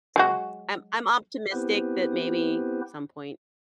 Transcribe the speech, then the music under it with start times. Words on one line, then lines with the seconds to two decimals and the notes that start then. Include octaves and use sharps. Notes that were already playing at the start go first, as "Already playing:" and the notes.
So I'm I'm optimistic that maybe some point
0.16 F#3 G#3 F#4
1.52 B3 C4 E4 G4 B4 C5